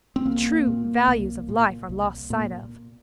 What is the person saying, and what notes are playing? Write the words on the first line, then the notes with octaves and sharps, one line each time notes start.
The true values of life are lost sight of.
C4
C2 A#3
A#2
C2
A#2
C2
A#2